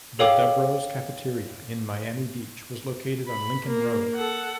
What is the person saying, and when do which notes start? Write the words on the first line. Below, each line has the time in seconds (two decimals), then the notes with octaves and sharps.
The Dubrow's Cafeteria in Miami Beach was located on Lincoln Road.
0.19 G#4 A4 C#5 F5 G5 D6
3.29 B5
3.66 A#3
4.15 A4 F#5